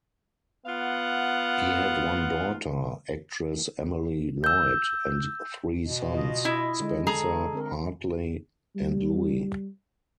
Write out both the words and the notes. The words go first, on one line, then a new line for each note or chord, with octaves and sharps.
He had one daughter, actress Emily Lloyd, and three sons: Spencer, Hartley and Louis.
B3 F4 F5 F#5
E6 G6
B2
F4 D#5
E4 D#5
D3 G#3
G#4 A4 A#5
D3 C4 A#4
G3